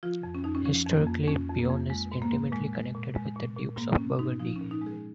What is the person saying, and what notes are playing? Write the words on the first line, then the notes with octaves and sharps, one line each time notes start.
Historically Beaune is intimately connected with the Dukes of Burgundy.
F3 F4
F2
C#4
F2 D#4
C#4
F3 C#4
F2
A#3
F2
F2 C#4
F2
A#3
F2
G#3
G#2
A#3
G#2
A#2 G#3
G#3
A#2
G#3
A#2
A#2
G#2 A#3
G#2 C#4
G#2 D#4
F3 D#4
C#4
A#2
D#4
G#3 G#4